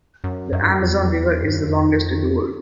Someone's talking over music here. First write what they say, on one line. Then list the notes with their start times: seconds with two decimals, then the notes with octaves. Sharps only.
The Amazon River is the longest in the world.
0.24 F#2
0.53 F#2
0.61 G2
0.69 F#2
0.81 F2
0.88 E2
0.96 F2
1.09 E2
1.43 G2
1.54 F#2
1.66 F2